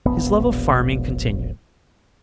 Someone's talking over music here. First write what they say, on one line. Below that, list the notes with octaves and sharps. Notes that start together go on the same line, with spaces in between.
His love of farming continued.
E1 A#1 B3